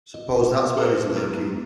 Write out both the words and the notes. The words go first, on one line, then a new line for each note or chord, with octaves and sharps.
Suppose that's where he's lurking?
D#5
G#4 A4 C5 A5 A#5
F#3 G#3 B3 E4 F4